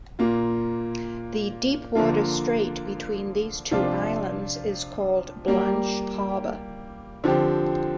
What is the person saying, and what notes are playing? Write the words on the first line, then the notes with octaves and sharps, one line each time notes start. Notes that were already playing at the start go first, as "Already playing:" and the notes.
The deep water strait between these two islands is called Blanche Harbor.
A#2 A#3 F4
D3 F3 A#3 F4
C3 F3 D4 F4
G3 A#3 G4
D3 F3 C4 G4